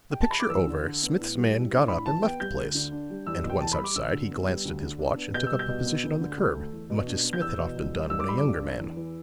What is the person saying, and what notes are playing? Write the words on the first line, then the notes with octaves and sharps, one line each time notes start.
The picture over, Smith's man got up and left the place; and once outside he glanced at his watch and took up a position on the curb, much as Smith had often done when a younger man.
G5
A5
B5
D6
E2 E6
D3
D4
B3
A2
G3
A2
D4
A2 B5
E3 A5
B3 G5
G3 G6
D2
D3
D4
G3
E2 E6
B2
G5
E2 A5
B5
G3
D6
D2 E6
D3
B3
G3
D2
D3
D4
B3
B2 G6
G3 E6
G6
B2
B3
D2
D3
D2
A3
E2
B2
D4
B3
G6
E2 E6
B2
E2
G3
G2 E6
D6
G3 B5
D6
G2
D4
E2
E3